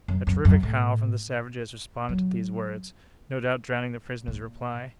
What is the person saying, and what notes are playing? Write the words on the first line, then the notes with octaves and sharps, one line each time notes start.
A terrific howl from the savages responded to these words--no doubt drowning the prisoner's reply.
F#2
F#2
F#2
A2
F#3
A#2